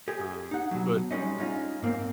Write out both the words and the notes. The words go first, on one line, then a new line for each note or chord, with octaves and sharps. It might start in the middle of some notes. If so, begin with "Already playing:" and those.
um but
G4 G#4
D#4 F#5
B2 F#3
G3 G#3 A#3 C#4 D#4
G#3 C#4 D#4 F4
G#2 A#3 C4